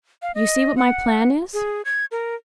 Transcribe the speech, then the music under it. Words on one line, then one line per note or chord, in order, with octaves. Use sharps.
You see what my plan is?
F5
D#5
F#5
G#4
G#6
A#4